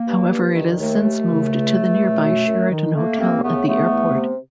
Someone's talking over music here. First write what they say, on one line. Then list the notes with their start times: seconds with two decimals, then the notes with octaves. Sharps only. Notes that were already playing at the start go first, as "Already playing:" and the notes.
However, it has since moved to the nearby Sheraton Hotel at the airport.
Already playing: A#3
0.08 G2
0.31 G2
0.55 D#3
0.79 D#2 A3
1.03 D#2
1.27 C#3
1.52 C#2
1.76 C#2
1.99 B2
2.23 F#2
2.47 F#2
2.71 D#3
2.94 A3 A#3
3.18 D#2 A#3 C4
3.42 C#3 A3 B3
3.66 G#3 A3 B3
3.91 E2
4.14 C3